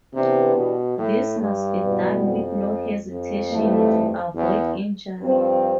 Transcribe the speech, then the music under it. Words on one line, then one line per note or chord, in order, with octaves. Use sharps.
This must be done with no hesitation, to avoid injury.
C3 E3 B3 D4 G4 B4
B2
A2
G2
E2 B2 G3 B3
F2
F2
G2 E3 A3
E2
G2 F3 C4